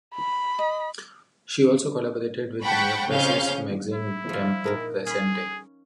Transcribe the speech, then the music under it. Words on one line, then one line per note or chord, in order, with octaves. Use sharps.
She also collaborated with the neofascist magazine "Tempo Presente".
B5
D#5
F#5 G5 A5 B5 C#6
F2 C#3 C#4 F5 G6
E4
F3 F4
A#2 D#4 A#4
C#4 G#4 B5